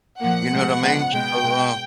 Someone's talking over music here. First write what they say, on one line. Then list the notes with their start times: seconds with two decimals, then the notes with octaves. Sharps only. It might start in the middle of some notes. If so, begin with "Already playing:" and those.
you know what I mean? So, uh,
0.20 A#2 F3 A#3 F#5
0.51 A2 F3 G#3
0.82 C#3 F3 G#3 B3
1.13 B2 G#3 B3 G5
1.43 B2 G#3 B3